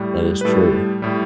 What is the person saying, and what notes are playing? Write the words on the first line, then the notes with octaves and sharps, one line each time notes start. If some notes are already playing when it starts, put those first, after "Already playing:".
That is true.
Already playing: A2 G3
B4
A2 G3 A4
A2 G3